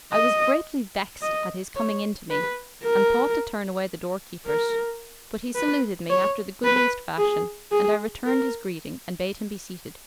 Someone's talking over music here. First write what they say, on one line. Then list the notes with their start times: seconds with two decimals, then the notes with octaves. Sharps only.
I was greatly vexed at his coming in to me and thought to turn away the doorkeepers; but he saluted me after the goodliest fashion and I returned his greeting and bade him be seated.
0.12 D#5
1.22 D#5
1.76 C#5
2.30 B4
2.84 A#4
4.46 A#4
5.55 B4
6.10 C#5
6.64 B4
7.17 G#4
7.71 G#4
8.26 A#4